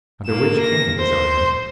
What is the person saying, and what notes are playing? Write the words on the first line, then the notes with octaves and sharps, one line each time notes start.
Under which King, Bezonian?
A#3 E7
A#6
C5